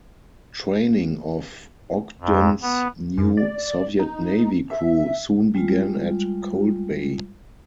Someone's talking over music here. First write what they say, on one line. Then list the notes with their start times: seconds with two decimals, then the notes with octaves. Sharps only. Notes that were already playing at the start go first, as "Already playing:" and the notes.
Training of "Ogden"s new Soviet Navy crew soon began at Cold Bay.
2.21 F2
2.62 B3
3.18 F#2
3.37 D5
3.99 D#4
4.70 E5
5.55 G3 G#3 F4